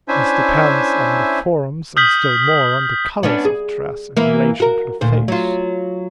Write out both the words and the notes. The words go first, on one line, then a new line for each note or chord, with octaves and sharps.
This depends on the forms and still more on the colors of dress in relation to the face.
C#4 D4 E4 C5 E5 G#5
D#6 F6 G6 B6 F#7
B3 C#4 D4
G#4
E3 A#3
F#4 A#4
D2 A#2 C5
F#3 F4